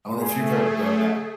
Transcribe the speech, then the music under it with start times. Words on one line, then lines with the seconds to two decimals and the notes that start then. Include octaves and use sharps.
I don't know if you've ever done that.
0.17 A3 G#4